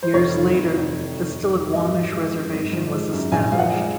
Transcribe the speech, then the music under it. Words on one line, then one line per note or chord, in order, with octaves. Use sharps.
Years later the Stillaguamish Reservation was established.
C5
F1 C#5
D#3
F1
D#2
F1
D#3
F1
D#2
G#1 D#5
F3
G#3
F#2
G#1
F3
G#3
F#2
A#1 G#5
F3 F5
F#5
G#3